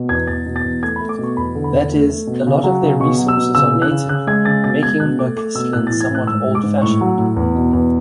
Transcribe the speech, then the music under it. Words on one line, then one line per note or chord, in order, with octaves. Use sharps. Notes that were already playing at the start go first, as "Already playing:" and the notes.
That is, a lot of their resources are native, making Nochistlan somewhat old-fashioned.
Already playing: B2
E2 G#6
E2 A6
B2
A6
E2
A3 G#6
B5
A3
D6
B2 C#6
E2 B5
D3
B5
E2
A3
A3
B2
C#3
F#3
C#3
B2 C#6
F#3
E6
B2
C#3 E6
E3
F#6
C#3
C#3 F#6
G#3 G#6
C#3 A6
B2 A6
G#3 G#6
B2 F#6
A3 D6
A3 D6
B2 E6
A2 F#6
A6
E3
G#6
A2
F#6
G#2 E6
G#3
D6
G#2
A2 C#6
F#3
A2
E2
B2
E2